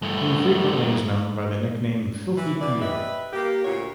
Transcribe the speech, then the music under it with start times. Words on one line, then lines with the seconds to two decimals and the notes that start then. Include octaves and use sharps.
He frequently is known by the nickname Filthy Pierre.
0.02 G2 A3
2.37 E3 E4
2.61 D3 E3 G#4 D5
2.81 G4 B4 D#5 E5
3.32 A#3 G4
3.65 D2 A#2 F#4 C#5